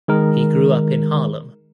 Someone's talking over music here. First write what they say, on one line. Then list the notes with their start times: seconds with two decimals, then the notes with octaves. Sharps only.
He grew up in Harlem.
0.08 D#3 G#3 A#4